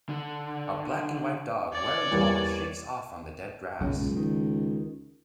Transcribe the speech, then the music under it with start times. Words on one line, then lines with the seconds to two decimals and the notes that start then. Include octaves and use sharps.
A black and white dog wearing collars shakes off on the dead grass.
0.09 D3
1.73 C#5 D5
2.11 E2 G3 A#3
3.81 B1 F#2 A#2 C#3
3.96 C#2
4.17 D#3